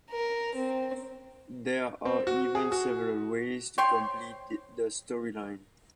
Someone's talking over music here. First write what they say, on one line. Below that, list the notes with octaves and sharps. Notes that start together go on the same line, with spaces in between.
There are even several ways to complete the storyline.
A#4
C4
C4
F#4
G#4
F#4
C5 C#5 G5 C6